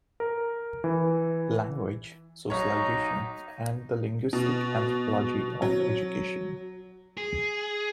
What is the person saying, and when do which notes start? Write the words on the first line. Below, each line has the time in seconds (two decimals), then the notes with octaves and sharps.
Language Socialization and the Linguistic Anthropology of Education.
0.20 A#4
0.84 E3
2.50 B1 D#4 C#5
4.33 B2
5.62 F#3
7.17 G#4